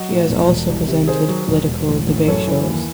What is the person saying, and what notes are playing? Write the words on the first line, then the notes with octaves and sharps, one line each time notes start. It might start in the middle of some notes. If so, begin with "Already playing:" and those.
She has also presented political debate shows.
Already playing: F#3 D#5 F#5
A2
E1
E1
C2
C3
D#3 G#4 C5
F#3
E1
E1
A1
A1
F#2 A4 C#5
E3
D#2